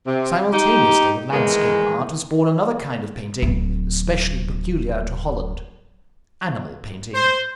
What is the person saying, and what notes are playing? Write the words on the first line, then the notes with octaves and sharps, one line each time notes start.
Simultaneously with landscape art was born another kind of painting, especially peculiar to Holland,--animal painting.
C3
D#4 G4
E2 D#3 E3 G#3
D1 F#3
C5